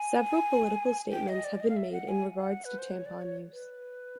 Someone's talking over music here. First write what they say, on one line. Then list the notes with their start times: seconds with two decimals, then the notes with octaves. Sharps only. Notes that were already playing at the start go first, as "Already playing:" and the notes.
Several political statements have been made in regards to tampon use.
Already playing: G#5
1.12 G5
1.28 D#5
1.44 D5
1.60 D#5
1.69 F5
1.77 E5
1.92 F#5
2.09 G#5
2.40 F#5
2.65 B4
2.79 C5
2.92 C#5
3.06 D5
3.22 C#5
3.53 B4